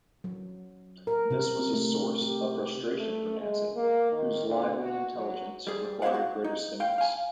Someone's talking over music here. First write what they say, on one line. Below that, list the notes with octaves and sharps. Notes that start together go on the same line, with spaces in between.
This was a source of frustration for Nancy, whose lively intelligence required greater stimulus.
F#3
A#4
C3
A3
G4
A3
G#3
A#3
D#3
D2
F#4
F#3
G3 G#4
B3 G4 C5 C#5 F5 F#5
F#4
D#4
F5 G5
F5 G#5